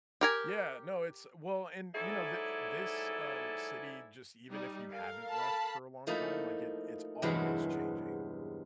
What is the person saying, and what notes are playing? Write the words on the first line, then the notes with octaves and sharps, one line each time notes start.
Yeah, no, it's well and, you know, thi this, um, city, just even if you haven't left for a long time, like, it it's always changing.
G4 A#4 G#5
G#2 F#3 E4 A4 D5 G#5
G3 D#4
A4 A#4 F5
A5 B5
F3 A3 A#3 D#4 E4
E2 G2 C3 F#3 G#3 E4